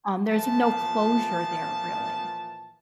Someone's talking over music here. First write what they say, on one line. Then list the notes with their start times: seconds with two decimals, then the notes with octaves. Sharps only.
um, there's no closure there, really.
0.30 A#2 E3 F3 A5